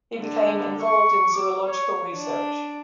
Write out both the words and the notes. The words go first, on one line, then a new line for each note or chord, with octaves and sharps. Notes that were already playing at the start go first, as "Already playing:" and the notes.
He became involved in zoological research.
D3
C#6
D6
C#5
D4